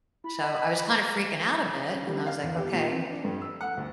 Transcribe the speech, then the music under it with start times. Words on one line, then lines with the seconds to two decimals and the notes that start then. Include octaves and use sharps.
so I was kind of freaking out a bit, and I was like, "Okay,
0.24 E4 B5
0.42 D#5
1.93 C#4
2.07 G3
2.26 F5
2.43 E2
2.58 G4
2.73 A#2
2.89 C4
3.10 D4
3.24 G2
3.42 E6
3.61 F#5
3.77 D2